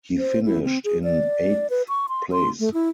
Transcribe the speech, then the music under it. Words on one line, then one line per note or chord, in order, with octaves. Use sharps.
He finished in eighth place.
C5
E4
C4
G#4
D5
B4
C#6
C6
C6
A3
E4